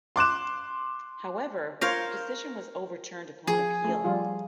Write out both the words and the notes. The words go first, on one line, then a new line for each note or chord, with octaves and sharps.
However, the decision was overturned upon appeal.
C6 D6 F#6 E7
F4 A#4 C5 C#5 F5
F3 G#4
A3 C#4
F3 G3 F4